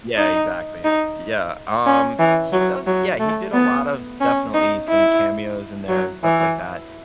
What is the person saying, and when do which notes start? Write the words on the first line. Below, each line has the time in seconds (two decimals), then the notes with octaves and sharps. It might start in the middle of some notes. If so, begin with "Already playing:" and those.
Yeah, exactly. Yeah, um, he does Yeah, he did a lot of definitely some cameos in there and stuff like that,
0.18 D#4
0.85 D#4
1.86 C#4
2.19 E3
2.53 F#3
2.87 F#3
3.20 A3
3.54 B3
4.20 C#4
4.54 D#4
4.88 E4
5.89 F#3
6.23 E3